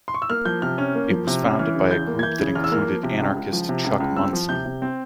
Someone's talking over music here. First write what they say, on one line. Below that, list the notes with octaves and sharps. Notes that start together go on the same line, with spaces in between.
It was founded by a group that included anarchist Chuck Munson.
C6
C#6
E6
A#3 F6
F3 G6
C3 F6
C#4 F6
A#3
F3
C3
C#4
E3 F6
C#3
E2 G6
A#3
G#6
E3 G6
C#3
E2 F6
E6
A#3 F6
F3
C3
C#2
C#2
F3
C3
C#2
C#2
C4 E6
F3
C3 G6
C3
C4